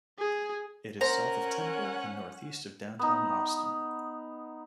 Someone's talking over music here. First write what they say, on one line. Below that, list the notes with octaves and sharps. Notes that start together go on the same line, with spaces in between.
It is south of Temple and northeast of downtown Austin.
G#4
C#4 A#4 C5 F#5 A#5
B3 D#4